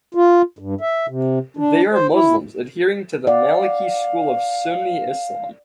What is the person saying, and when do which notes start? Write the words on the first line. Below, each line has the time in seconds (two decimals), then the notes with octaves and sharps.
They are Muslims, adhering to the Maliki school of Sunni Islam.
0.15 F4
0.59 G2
0.81 E5
1.08 C3
1.57 D4
1.92 C5
2.13 E4
3.27 D5 F5 F#5